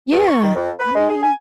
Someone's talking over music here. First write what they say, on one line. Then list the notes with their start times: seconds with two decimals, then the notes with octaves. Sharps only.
yeah, I mean
0.12 G2
0.29 C#6
0.43 D#3
0.56 F2
0.80 B4
0.95 G#3
1.09 G#4
1.23 G#5